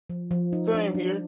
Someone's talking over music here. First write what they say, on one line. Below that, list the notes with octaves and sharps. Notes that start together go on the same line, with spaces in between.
Same here.
F3
F3
D#4
D4
D4